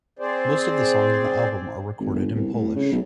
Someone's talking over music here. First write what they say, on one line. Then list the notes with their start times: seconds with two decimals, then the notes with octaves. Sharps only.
Most of the songs on the album are recorded in Polish.
0.19 C4 G#4 C5 D5
2.00 G#1
2.13 G1
2.35 C2
2.54 A2
2.76 C#3
2.92 B1